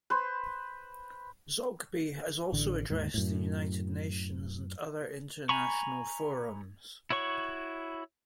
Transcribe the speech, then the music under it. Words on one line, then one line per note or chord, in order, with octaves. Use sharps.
Zogby has also addressed the United Nations and other international forums.
B4 C5
A1 D3
D#2 G#2
F#2 A2
G#5 A#5 B5 C#6
E4 F#4 C#5 C#6